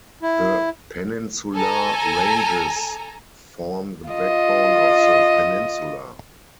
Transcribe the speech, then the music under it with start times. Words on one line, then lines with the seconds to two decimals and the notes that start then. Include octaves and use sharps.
The Peninsular Ranges form the backbone of the peninsula.
0.22 E4
1.55 A4 G#5 A#5
4.10 F4 D#5